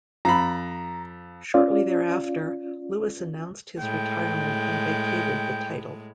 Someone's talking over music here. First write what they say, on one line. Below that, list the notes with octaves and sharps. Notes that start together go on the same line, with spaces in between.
Shortly thereafter, Lewis announced his retirement and vacated the title.
F2 A#5 B5
C#4 F4 D5 F5
A2 G#3 G5